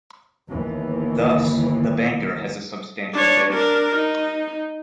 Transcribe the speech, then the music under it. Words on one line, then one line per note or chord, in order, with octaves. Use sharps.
Thus, the banker has a substantial edge.
G1 D#2 E3
D4 C#5
D4 A#4
D#4